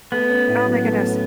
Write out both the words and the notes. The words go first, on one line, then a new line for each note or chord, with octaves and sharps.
oh my goodness
A3 B3
C#4
A2
F#3
A3
C#4